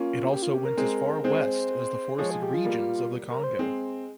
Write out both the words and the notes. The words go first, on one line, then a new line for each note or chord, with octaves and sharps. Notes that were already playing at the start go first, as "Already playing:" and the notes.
It also went as far west as the forested regions of the Congo.
Already playing: A#3 C#4 F4
G4
F4
G4
A#4
G#3 C4
G#3 C4 C5
F3 G#3 C#5
G#4
G4
F4
G3 A#3
A#4
C5
G#3 C4